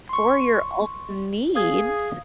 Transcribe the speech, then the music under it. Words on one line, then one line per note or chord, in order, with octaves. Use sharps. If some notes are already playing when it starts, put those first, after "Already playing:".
for your own needs,
C6 C#6
G#4 F5 D#6 G#6